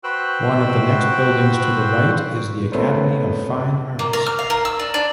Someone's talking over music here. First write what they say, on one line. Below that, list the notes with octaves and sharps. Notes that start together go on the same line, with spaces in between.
One of the next buildings to the right is the Academy of Fine Arts.
F#4 B4 C5 G5 E6 F#6
C3 A3 B3 C#4 A4 C5
A#3
A#4
F6
F5
A#4
E6
D4
D4